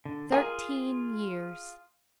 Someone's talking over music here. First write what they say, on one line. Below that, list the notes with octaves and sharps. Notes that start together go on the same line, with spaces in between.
Thirteen years.
D3
F4 G#4 A#4 G#5